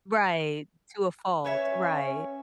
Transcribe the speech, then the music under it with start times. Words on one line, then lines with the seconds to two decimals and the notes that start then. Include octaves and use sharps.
Right, to a fault, right.
1.44 C#4 B4 C#5 E5